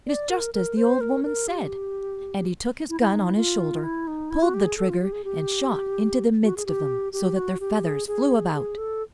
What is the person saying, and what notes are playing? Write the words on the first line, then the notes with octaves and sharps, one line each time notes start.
It is just as the old woman said'; and he took his gun on his shoulder, pulled the trigger, and shot into the midst of them, so that their feathers flew about.
D5
A#4
A#4
C5
A#4
A#4
G4
E4
E4
D#4
E4
F4
E4
D#4
E4
F#4
G4
G#4
A4
F4
G4
G#4
G4
F#4
G#4
G4
G4
F#4
G4
G#4
G#4
G#4
A4